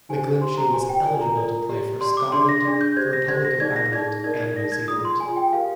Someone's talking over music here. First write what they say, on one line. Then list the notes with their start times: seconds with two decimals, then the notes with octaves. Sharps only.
McGlinchey was eligible to play for Scotland, the Republic of Ireland and New Zealand.
0.09 D#4 G4 C5 G#5
0.41 G4 C5 C6
0.58 A#5
0.73 G4 C5 G#5
0.89 G5
1.05 F4 A#4 D5 G#5
1.21 A#5
1.37 F4 A#4 D5
1.69 G4 D5
2.01 G4 D5 C6
2.17 D6
2.32 D4 G#4 D5 C6
2.49 A#6
2.64 D4 G#4 D5 A#6
2.81 G6
2.96 G4 C5 G#6
3.13 A#6
3.28 G4 C5 G#6
3.45 A#6
3.60 D#4 G#4 D5 G#6
3.76 A#6
3.92 D#4 G#4 D5 G#6
4.24 D#4 A#4 D5 G#6
4.41 G#6
4.56 D#4 A#4 D5 A#6
4.72 G#6
4.88 F4 G#4 D5 D#6
5.05 C6
5.20 F4 G#4 D5 G#5
5.36 G5
5.52 G4 A#4 D5 F5